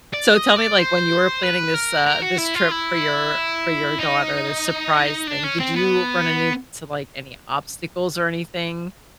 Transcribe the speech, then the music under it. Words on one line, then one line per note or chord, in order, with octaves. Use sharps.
So, tell me, like, when you were planning this, uh, this trip for your for your daughter, the surprise thing. Did you run into like any obstacles or anything?
D5
D#5
D5
C5
B4
A#4
A#4
F#4
E4
F4
E4
D#4
D4
C#4
C4
B3